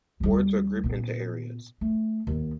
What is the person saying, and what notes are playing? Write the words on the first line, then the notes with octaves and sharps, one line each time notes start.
Wards are grouped into areas.
D#2 G3
A#2 B3
A3
D#2 B3